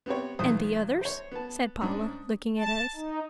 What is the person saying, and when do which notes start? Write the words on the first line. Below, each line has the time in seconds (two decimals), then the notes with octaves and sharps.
"And the others?" said Paula, looking at us.
0.06 B3 C4 G4 C#5
0.39 B1 E2 C5 D#6
1.01 C5 C#5
1.32 B3 A5
1.81 G#2 C#4 D4
2.57 A5
2.95 D#4